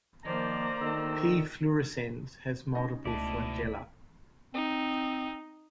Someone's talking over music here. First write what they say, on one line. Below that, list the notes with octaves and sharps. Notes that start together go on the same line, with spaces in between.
"P. fluorescens" has multiple flagella.
D#3 F3 A#3 C5 D5 A#5
D2 D#3 D#5 E6
C#4 D#4 D#5
C#2 B2 A3 E4 D5 A5
C4 D#4